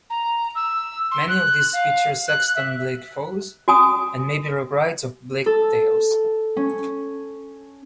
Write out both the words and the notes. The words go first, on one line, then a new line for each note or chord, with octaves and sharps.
Many of these feature Sexton Blake foes and may be rewrites of Blake tales.
A#5
E6
C6
F#6
F5
F#6
E5
F#4 G#5 D#6
A4
C#4